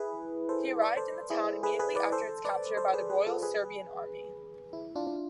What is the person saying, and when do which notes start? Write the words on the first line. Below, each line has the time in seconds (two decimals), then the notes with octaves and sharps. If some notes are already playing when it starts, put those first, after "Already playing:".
He arrived in the town immediately after its capture by the Royal Serbian Army.
Already playing: E4 G#4 B4
0.49 A4 C5
0.81 B4 D5
0.97 A4 C5
1.30 E4 G#4
1.63 G#4 B4
1.79 G#4 B4
1.95 B4 D5
2.12 A4 C5
2.45 B4 D5
2.77 A4 C5
2.94 G#4 B4
3.10 G#4 B4
3.27 F4 A4
3.43 G#4 B4
4.73 E4
4.96 D4 F4
5.07 D4